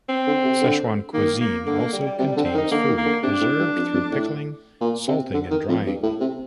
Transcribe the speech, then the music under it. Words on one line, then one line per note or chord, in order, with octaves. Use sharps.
Sichuan cuisine often contains food preserved through pickling, salting and drying.
C4
D3
C3
D3
D#3 A#3
A#3
D3 A#3
A#3
G3
G3
C3 G3
G3
D3
C4
D#3
D#4
D3 A#3
D#3
A#3
D3
C3 D4
A2
G2
F2
F2
A2
A#2
C3
D3
D#3
F2
G2
A2
C3